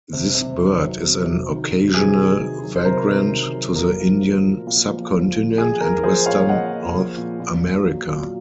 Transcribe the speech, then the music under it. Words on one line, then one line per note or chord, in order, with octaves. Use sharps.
This bird is an occasional vagrant to the Indian Subcontinent and western North America.
C3
C3
D#3
F#3
C3
C3
D#3
F#3
C3 G#4
C3
D#3
F#3
C5
C3 A#4
C3
D#3
F#3
A#2 A#4
F3
F3
A#2
A#2
F3
F3
A#2
A#2 G#4
F3 A#4
F3 G#4 C5
A#2 C#5 F5
A#2 D#5 F#5
F3
F3
A#2
A#2
F#3
F#3
A#2